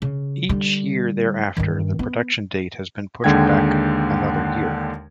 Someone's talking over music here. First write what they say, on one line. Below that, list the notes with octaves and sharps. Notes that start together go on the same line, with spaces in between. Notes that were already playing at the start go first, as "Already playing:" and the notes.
Each year thereafter the production date has been pushed back another year.
C#3
D3 G3
G2 D#3
B3
D#2 D3 G#3 G5 G#6